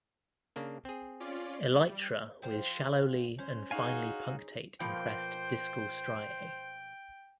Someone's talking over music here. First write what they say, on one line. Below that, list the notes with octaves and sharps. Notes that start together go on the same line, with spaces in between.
Elytra with shallowly and finely punctate impressed discal striae.
C#3 A#3 D4
C4 G#4
C#4 F4 D5
G3
F3 C5 G5
C#4 C5
D#4 F#4 G#4 F5 G#5
B2 F3 A#3 C5 G5